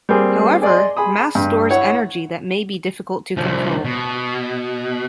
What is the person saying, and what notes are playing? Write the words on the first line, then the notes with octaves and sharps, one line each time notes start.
However, mass stores energy that may be difficult to control.
G3 A#3 C4 G#4
G#4 D5 D#5 C6
G#4 G#5 B5 D#6
G2
E4 C#5 E5 F#5
C2 F3
B2